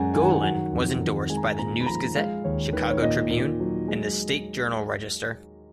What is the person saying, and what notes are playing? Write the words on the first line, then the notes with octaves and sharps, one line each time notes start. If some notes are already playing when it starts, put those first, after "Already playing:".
Gollin was endorsed by the "News-Gazette", "Chicago Tribune", and the "State Journal-Register".
Already playing: F#2 G#3 F#5 G#5
D#3 G#5
F#5
G#5
F#3 F#5
F2
D#3
G#3 G#5
A#5
G#5
A#2 A#5
B5
F3 A#5
G#3 F5
D#2 C#5
D#3 B4
C#5
A#2 D#5
A#2
F#3
G#3